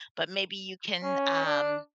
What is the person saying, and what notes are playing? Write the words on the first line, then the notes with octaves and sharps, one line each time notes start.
but maybe you can, um
C#4
D4